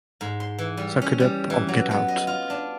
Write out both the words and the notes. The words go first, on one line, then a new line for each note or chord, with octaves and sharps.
Suck it up, or get out.
G#2
C6
E3
G3
C#4
G3
E3
F#3
B3
D#5
F4
D4